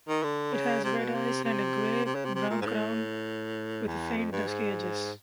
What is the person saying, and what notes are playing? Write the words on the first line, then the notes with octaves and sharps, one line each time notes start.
It has red eyes and a grey-brown crown with faint dusky edges.
D#3
D3
C#3
C3
B2
C3
C3
C3
C#3
C3
C3
A#2
G#2
A2
E2
F2
G2
G#2